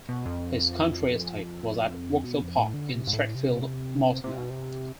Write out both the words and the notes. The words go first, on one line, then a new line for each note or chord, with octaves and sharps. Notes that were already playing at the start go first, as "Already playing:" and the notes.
His country estate was at Wokefield Park in Stratfield Mortimer.
B2
F2
B2
F2
A2
D3
C3
G#2
A2
C3
C3
B2
C3